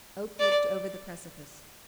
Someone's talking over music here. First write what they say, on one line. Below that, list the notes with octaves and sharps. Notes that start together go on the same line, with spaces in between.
Oak looked over the precipice.
D5